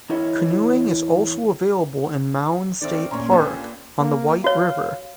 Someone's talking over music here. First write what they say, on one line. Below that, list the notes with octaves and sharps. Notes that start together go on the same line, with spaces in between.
Canoeing is also available in Mounds State Park, on the White River.
E2 E4 A#4 C#5 D#5
D#3 A3 C4 C5 D5 F6
A#2 A#3 C#4 A#5 C6 C#6
A#2 B3 D4 G4 A4
A#3
F#4 C#5 F5